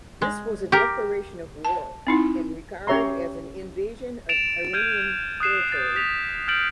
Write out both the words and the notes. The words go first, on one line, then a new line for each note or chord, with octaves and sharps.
This was a declaration of war and regarded as an invasion of Iranian territory.
G#3
G4 A#4 D6
A5
C4 D#4 E4
C#4 G4 C#5 E5 A#5 C6
A6 D7 E7 F7
F6 G6 G#6 D7 D#7
D#6 F#6 C7 E7
G6 A6
B6 F7
F6 G6 A6 D7 F#7